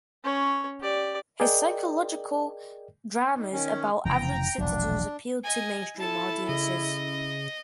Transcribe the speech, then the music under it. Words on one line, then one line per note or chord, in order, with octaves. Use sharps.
His psychological dramas about average citizens appealed to mainstream audiences.
C#4 C#5
G4 D5
G#4 A#4 D5 D#5 G5
D#3
D#3 C#4
F1 C#3 E3 G5 A#5
E1 A#1 F#3 D4
D#5 G#5
E4 A4 A5
C#3 D#5